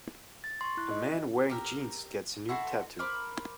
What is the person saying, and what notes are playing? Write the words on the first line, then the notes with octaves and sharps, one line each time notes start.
A man wearing jeans gets a new tattoo.
A6
C6 C#6
E4 F#6
D#5
G4 A#4 E6
E4 F#4 A4 C6
A#4 C5 B5 D6